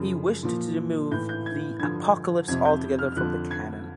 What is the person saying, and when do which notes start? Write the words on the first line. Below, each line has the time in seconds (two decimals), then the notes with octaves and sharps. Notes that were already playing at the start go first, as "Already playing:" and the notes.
He wished to remove the Apocalypse altogether from the canon.
Already playing: F#2 C#3 F3
0.43 A#2 F3
1.11 A2 E3 G6
1.29 G6
1.46 G#6
1.79 G2 D3 F3 G#6
2.48 F2 C3 F3 G#6
2.65 G6
2.99 F6
3.12 F6
3.16 F2 D3 F3 F#6
3.51 G#6